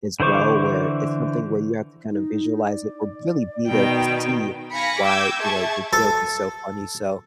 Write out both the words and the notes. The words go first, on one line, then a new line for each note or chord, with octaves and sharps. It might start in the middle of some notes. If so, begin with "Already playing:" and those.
as well, where it's something where you have to kind of visualize it or really be there to see why, you know, the joke is so funny, so
D3 E3 C5 C#6 D6
D#4
D5
B2 D#3 G5
F5 G#5 B5 A#6 B6 C#7
G5 D6 E6 G6 G#6
G#4 E5 A5 C#6 G#6
A4